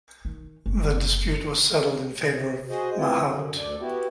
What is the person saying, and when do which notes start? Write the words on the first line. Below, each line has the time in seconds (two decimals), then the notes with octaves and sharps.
The dispute was settled in favour of Mahaut.
0.25 D#3
0.66 F#1
2.25 C3
2.69 F#4 G#4 C5 D#5
2.96 A3 B3 C4 E4 F4
3.21 F#2 D3
3.57 D2 A4 D5
3.80 B3 E4 F#4 G4